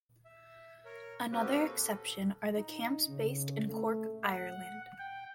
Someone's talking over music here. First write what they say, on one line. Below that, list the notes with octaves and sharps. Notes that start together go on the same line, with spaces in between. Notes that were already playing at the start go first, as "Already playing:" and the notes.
Another exception are the camps based in Cork, Ireland.
E5
A#4 C#5
A#3 C4 C#4 F#4 G4 B4
A4
D#4
C#3
A3
F#5
G5